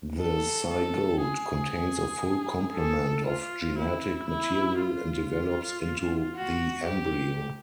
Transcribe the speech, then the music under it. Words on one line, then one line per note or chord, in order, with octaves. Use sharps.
The zygote contains a full complement of genetic material and develops into the embryo.
A4
A4
G#4
A4
F4
E4
E4
F4
F#4
G4